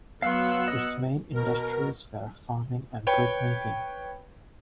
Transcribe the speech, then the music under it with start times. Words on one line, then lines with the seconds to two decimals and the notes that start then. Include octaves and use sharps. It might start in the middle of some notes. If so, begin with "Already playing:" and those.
Its main industries were farming and brick-making.
0.22 F#3 B3 F5 C6 E6 F#6 C#7
0.68 D#5
1.34 B2 A#4
3.07 B4 C#5 G5